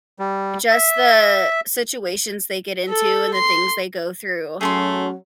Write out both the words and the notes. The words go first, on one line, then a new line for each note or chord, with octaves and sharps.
just the situations they get into and the things they go through,
G3
E5
A4
C6
F#3 A3 C#4 G#4 A5 C6